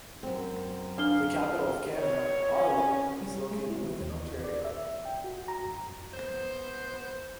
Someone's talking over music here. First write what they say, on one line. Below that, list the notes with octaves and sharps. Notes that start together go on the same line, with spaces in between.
The capital of Canada, Ottawa is located within Ontario.
F#2 C4
D4 F5 G7
C#5
C#4
G3
G#3
E4
E3
D#2
D5
E5
G5
F#4
A#5
F#2
B3 C5